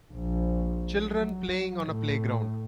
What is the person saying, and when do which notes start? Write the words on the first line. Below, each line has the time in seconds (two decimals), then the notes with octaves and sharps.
Children playing on a playground.
0.14 A#1
1.02 F#3
1.85 A2